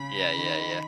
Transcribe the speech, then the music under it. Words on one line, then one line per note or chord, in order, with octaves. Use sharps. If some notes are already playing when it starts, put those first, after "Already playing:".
Yeah, yeah, yeah.
Already playing: C#3 B5
D#3